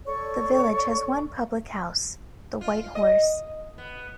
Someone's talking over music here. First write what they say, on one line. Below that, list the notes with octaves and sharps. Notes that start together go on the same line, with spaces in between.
The village has one public house, "The White Horse".
A4 C#5 D5 C#6
F4
D#5
B3